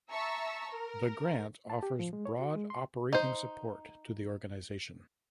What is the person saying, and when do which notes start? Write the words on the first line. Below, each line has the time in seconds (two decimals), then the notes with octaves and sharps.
The grant offers broad operating support to the organization.
0.11 E5 A5 A#5 C#6 E6
0.72 A#4
1.70 A5
1.83 G4
1.99 F3
2.13 G#3
2.25 C#5
2.39 F#4
2.55 G#3
2.70 C6
3.13 D#4 C5